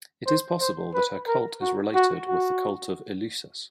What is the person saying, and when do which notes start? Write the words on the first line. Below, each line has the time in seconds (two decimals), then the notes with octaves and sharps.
It is possible that her cult is related with the cult of Eleusis.
0.27 C5
0.61 C5
0.94 B4
1.28 A#4
1.61 F#4
1.95 F#4
2.28 F#4